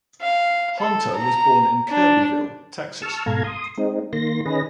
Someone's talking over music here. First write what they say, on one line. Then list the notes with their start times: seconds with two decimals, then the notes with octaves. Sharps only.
Hunter was born in Kirbyville, Texas.
0.21 F5
0.79 A4
1.16 A#5
1.90 D4
3.02 A5 C#6 E6 F6
3.26 G#2 B2 A4 F5 A#5 G#6
3.44 C6 D#6
3.78 G#3 C4 D#4
4.13 D#3 A#3 C6 A#6
4.45 D#3 C#4 G#4 B4 D#5 A#6